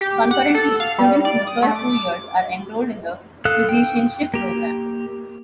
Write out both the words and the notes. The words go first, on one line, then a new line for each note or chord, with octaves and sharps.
Concurrently, students in the first two years are enrolled in the Physicianship Program.
G4
F#5
A4
F5
G3
D5
D#6
A3
D6
A4 F5 D#6 F#6
G5
A#3 G4